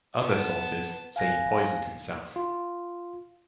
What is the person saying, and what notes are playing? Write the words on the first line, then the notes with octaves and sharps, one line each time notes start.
Other sources say he poisoned himself.
B3 A5
F5 G#5 F#6 A#6
F4